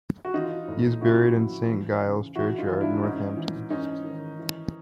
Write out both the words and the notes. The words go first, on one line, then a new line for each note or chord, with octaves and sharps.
He is buried in Saint Giles's churchyard, Northampton.
F#4
E3 D#4 F4
A2
C#3 E4 F#4
F2
E2
C#3
E3 E4 F#4
D#4 F4
E3
D4 E4
G#2 C#4 D#4
E3
G#2 C#4 D#4
D#3
E3